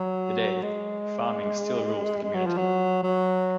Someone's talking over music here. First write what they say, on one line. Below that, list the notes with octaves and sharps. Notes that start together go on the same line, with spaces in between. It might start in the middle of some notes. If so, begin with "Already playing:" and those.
Today, farming still rules the community.
Already playing: F#3
G#3
G#3
F#3
F3
F#3
F#3